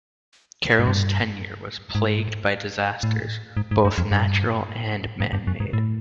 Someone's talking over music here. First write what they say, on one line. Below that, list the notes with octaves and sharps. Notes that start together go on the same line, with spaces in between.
Carroll's tenure was plagued by disasters, both natural and man-made.
G#2
G2
G#2
A2
G#2
G#2
G2
F2
G2
G#2
G2
F#2
G#2
A2